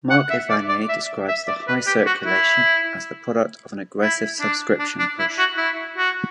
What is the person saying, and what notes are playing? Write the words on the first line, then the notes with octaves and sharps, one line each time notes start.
Mark Evanier describes the high circulation as the product of an aggressive subscription push.
F#5
E5
D5
D5
E5
E5
D5
B4
G4
F#4
E4
E4
D4
D4
D4
E4
F#4
E4
F#4